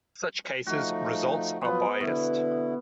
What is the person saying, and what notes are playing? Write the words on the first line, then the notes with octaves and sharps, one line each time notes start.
In such cases results are biased.
F3 A3 D#4 F#4
F3 F#3 B3 F4 B4
B2 D3 E4